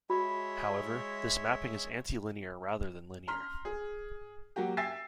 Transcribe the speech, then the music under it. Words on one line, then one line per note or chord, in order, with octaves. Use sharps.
However, this mapping is antilinear rather than linear.
G#3 F#4 C#5 E5 B5
A#5 C6 F6 B6
G#4
F#3 A#3 F#4 G4
E5 G5 G#5 E6 A6 C7